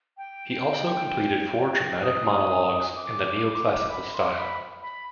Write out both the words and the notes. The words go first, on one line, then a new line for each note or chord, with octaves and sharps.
He also completed four dramatic monologues, in the neoclassical style.
G5
D#6
D6
B5
C6
B5
B5